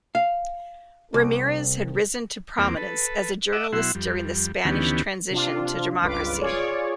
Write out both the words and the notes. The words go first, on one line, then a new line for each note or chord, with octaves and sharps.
Ramirez had risen to prominence as a journalist during the Spanish transition to democracy.
F5
C2
E2 A#3 C4 D6
A4 B4
D#5 E5 F#5 D6 E6
B2 F#3 E4 E5 F#5 C6
F2 G3
D2 D#3 E3 B3 C#4 G4
C3 D4 F4
G1 C#2 F4 B4 D6
F4 G#4 C#5 D5